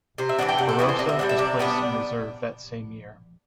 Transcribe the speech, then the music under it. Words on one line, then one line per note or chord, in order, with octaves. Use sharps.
"Barrosa" was placed in Reserve that same year.
C3 C5
E5
E3 B3 D4 F#5
G5
C3 F#5
A4
E3 B3 D4 E4
C5
C3 D5
E5
G3 B3 D4 F#5
E5
C3 D5
G3 B3 D4